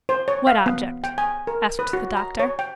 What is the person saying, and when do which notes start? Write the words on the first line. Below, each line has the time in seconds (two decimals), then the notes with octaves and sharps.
'What object?' asked the doctor.
0.09 C5
0.28 C#5
0.47 F5
0.66 B3
1.04 G5
1.18 G#5
1.47 A#4
1.79 B4
1.93 F#4
2.17 A#5
2.39 C#5
2.59 G5